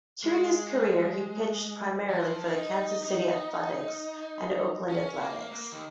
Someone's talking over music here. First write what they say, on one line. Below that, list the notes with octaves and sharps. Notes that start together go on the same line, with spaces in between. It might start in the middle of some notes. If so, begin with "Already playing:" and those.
During his career, he pitched primarily for the Kansas City Athletics and Oakland Athletics.
G#3
F3
F4
D#4
D#4
C#4
A#3
A#3
D#3